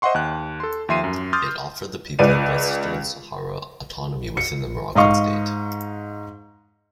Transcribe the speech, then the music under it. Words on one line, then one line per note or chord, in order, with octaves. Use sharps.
It offered the people of Western Sahara autonomy within the Moroccan state.
C5 D#5 E5 F#5 C6 C#6
D#2 F#6
A4 C6
D#2 F3 E5 C6 C7 D#7
F#2
C6 D6 D#6 F6 G6 A6
C#2 B4 D5 D#7
C#7
G#2 D#5 F5 C#6